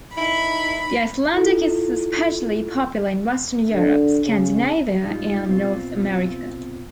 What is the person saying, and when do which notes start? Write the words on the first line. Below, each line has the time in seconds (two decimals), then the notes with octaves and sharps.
The Icelandic is especially popular in western Europe, Scandinavia, and North America.
0.17 D#4 E4 B5
1.33 E4 F4 A4
3.69 D3
4.25 C#3
5.03 G#2 G3 D#4 F4
5.48 B2 C4 F4